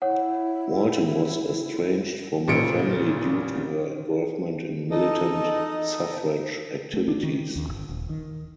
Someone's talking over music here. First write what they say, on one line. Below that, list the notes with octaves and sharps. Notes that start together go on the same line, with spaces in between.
Walton was estranged from her family due to her involvement in militant suffrage activities.
E4 C#5 F#5
A1 A#2 C#3 C#7 D7
D#4 A4 D#5
A3
D4
D#3
D#2
G1
D#1
D#3